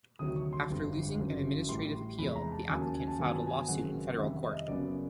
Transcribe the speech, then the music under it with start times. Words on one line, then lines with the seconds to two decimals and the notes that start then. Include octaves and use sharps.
After losing an administrative appeal, the applicant filed a lawsuit in federal court.
0.19 D2 C3 D#3 F#3 D#6
0.36 C#6
0.53 C6
0.70 G1 F2 D3 G3
1.19 G1 F#2 C#3 F#3
1.69 A1 A2 E3 G3 C6
2.19 E2 C3 F3 G#3 B5
2.36 A#5
2.52 A5
2.69 D#2 C#3 F#3 A#3 G#5
2.82 A5
2.95 G#5
3.08 A5
3.19 G2 D#3 F#3 B3 G#5
3.34 A5
3.47 G#5
3.68 F#1 F#2 D#3 G#3 C4 F#5
4.18 F2 C3 D#3 G3 E5
4.43 D#5
4.54 E5
4.61 D#5
4.68 F#1 F#2 C#3 F#3 B3 D5